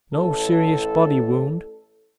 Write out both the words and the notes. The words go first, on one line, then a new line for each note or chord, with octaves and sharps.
No serious body wound.
A1 A2 A4